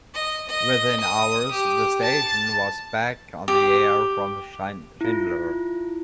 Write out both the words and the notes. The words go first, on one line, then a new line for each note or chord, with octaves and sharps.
Within hours, the station was back on the air from Shindler.
D#5
D#5
D#6
G4
A5
G4
E4 F4